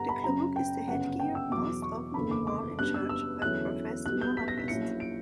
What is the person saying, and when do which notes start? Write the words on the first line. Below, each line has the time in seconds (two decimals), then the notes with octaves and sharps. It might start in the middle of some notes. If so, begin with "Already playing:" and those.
The klobuk is the headgear most often worn in church by professed monastics.
Already playing: G2 D3 G3 B3 F#5 A#5
0.09 B5
0.24 F#2 C#3 F#3 A#5
0.56 G5
0.88 G1 F#2 C#3 F#5
1.20 G5
1.35 E6
1.51 E2 B2 F#3 D6
1.82 C#6
2.14 F#1 E2 D3 A#3 D4 B5
2.31 D6
2.47 D6
2.78 F#2 C#3 G3 B3 D4 F#6
2.94 E6
3.09 E6
3.42 E2 D3 F#3 C#4 E4 F#6
4.05 B1 B2 G3 F#6
4.21 G6
4.37 B6
4.48 A#6
4.58 B6
4.68 A#1 A#2 F#3 C#4 E4 C#7
5.00 D7